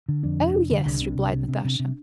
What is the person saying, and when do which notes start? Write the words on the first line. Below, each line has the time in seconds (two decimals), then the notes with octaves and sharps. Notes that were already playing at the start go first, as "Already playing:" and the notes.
"Oh, yes," replied Natasha.
0.08 D3
0.23 F2 D4
0.39 F1
0.55 F1
0.71 D3
0.86 C2 D4
1.01 C3
1.18 C2
1.33 C3
1.48 C3
1.65 C3
1.80 C3